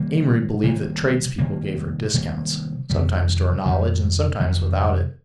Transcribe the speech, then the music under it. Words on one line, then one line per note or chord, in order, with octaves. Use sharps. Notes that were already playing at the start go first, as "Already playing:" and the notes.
Amory believed that tradespeople gave her discounts, sometimes to her knowledge and sometimes without it.
Already playing: C3 D#3 G3 A#3
C3 D#3 G3 A#3
C3 D#3 G3 A#3
C3 D#3 G3 A#3
F2 C3 D#3 G3
F2 C3 D#3 G3
F2 C3 D#3 G3